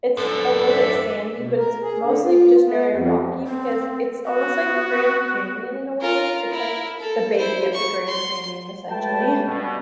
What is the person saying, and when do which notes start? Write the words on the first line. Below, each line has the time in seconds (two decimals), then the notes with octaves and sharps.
it's a little bit sandy, but it's mostly just very rocky because it's almost like the Grand Canyon in a way. It's like the baby of the Grand Canyon, essentially.
0.17 F#2 D4 A4
0.66 D5 E5
1.37 B2
1.58 A#4
1.82 G#4
2.02 D3
2.25 F4
2.65 B3
2.91 F2
3.47 C4
4.25 B3 F#4
6.01 F4 A#4
6.51 E4 A#4
6.99 A4
7.36 E4 C5
7.73 C#6
8.07 C6
8.90 G#3 A3 B4 G5 A5
9.46 G2 B2